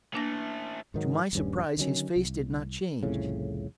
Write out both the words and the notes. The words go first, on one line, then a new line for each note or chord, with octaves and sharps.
To my surprise his face did not change.
E3 A3 A#3 D4 A#6
G#2 D#3 F#3
D#1 G2 C#4
D3 D#3 F#3 C#4
C2
C2 F2 A2 C#3